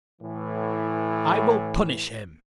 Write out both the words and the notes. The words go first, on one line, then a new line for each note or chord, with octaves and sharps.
"I will punish him."
A2 E3